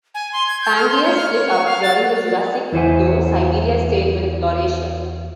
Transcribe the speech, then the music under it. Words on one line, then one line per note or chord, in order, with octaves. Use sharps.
Pangaea split up during the Jurassic though Siberia stayed with Laurasia.
G#5
C6
G#6
G6
F6
C6
C#5
F6
C#5
C#6
F5
A6
E2 E4 C5 F#5 G#5